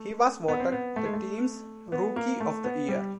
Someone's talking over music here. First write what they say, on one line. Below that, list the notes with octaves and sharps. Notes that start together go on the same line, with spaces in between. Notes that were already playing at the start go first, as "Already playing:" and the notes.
He was voted the team's Rookie of the Year.
Already playing: A3
B3
C4
B3
A3
G#3
A3
B3
A#3
A3
B3
G3